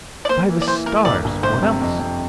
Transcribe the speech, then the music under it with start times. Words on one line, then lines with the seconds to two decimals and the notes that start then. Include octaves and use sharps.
By the stars, what else?
0.25 D5
0.29 A#3 C5
0.49 E3
0.62 D5
0.67 E3 C5
0.86 A#3 A#4
1.05 G1 D5
1.25 G1
1.43 G1 C5
1.63 C3
1.81 F2
2.00 F2